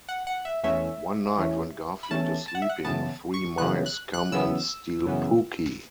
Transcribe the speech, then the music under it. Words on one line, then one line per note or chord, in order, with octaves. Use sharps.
One night when Garfield is sleeping, three mice come and steal Pooky.
F#5
F#5
E5
E2 E3 A3 C#4 E5
E2 E3 A3 C#4
B5
E2 E3 A3 C#4 A5
A5
F#5
E5
F#5
F#2 C#3 E3 B3 A5
C#6
F#2 C#3 E3 B3 F#6
F#6
F#6
F#2 C#3 E3 B3 E6
F#2 C#3 E3 B3